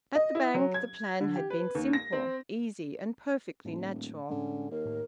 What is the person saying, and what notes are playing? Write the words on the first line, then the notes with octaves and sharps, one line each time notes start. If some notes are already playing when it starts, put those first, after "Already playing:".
At the Bank the plan had been simple, easy, and perfectly natural.
D#5
E4
F#3
G#6
D3
G4
B4
D#2
A#6
C4
D#1 A2
A2 D3 G#3 C#4
D#2 A#4
A2